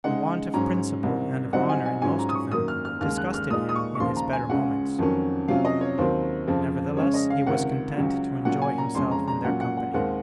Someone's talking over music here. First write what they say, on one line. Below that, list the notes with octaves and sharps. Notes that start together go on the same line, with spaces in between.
The want of principle and of honour in most of them disgusted him in his better moments; nevertheless he was content to enjoy himself in their company.
C#3 G#3 D#4 F#5
G#2 F#3 C#4 A#5
C2 C3 D#3
C2 C3 F#3 C4 D#4 F#5
G#5
G#5
G#2 F#3 C#4 F4 G#5
A#5
D#6
C#6
F#2 D#3 F#3 A#3 D#6
F6
F6
D#2 C#3 G#3 F6
F#6
F6
A#2 G#3 D#4 D#6
D#6
C#6
C#6
D#2 C#3 F3 A#3 F4 C6
A#5
G#5
C#2 C#3 G#3 C#4 F#5
F2 D#3 F#3 C#4
C3 F#3 C#4 F4 F5
D#5
C#5
D#2 D#3 F#3 C4 C5
F2 C#3 F3 C4
C#3 G#3 C#4 C#5
D#5
F5
C#2 C3 D#3 F#5
C#2 C#3 F#3 C#4
A#2 F#3 C#4 F4 F#5
G#5
A#5
F2 C#3 G#3 C#4 C6
A#5
A#5
A#2 F#3 C#4 F#5
F#5
F#5
D#2 D#3 G#3 C4 F#5